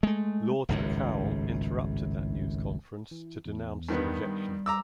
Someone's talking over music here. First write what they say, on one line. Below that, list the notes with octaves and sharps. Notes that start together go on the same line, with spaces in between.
Lord Crickhowell interrupted that news conference to denounce the rejection.
G#3 A3
G#1 C#2 F#2 A2
E3
E2
G2 D#3 B3
G3
A#5 D6 E6